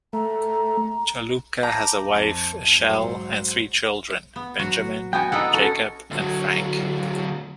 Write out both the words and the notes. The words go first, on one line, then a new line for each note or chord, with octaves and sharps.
Chaloupka has a wife Eshell, and three children; Benjamin, Jacob, and Frank.
A3 A#5
A5 A#5 D6 G6
F2
G#2 F#3 C5
B3
F#3 F#4
B3 F#4 G5 G#5
B3 D#4 E4 A4 F#5
C#4 F#4 A4
D2 F#3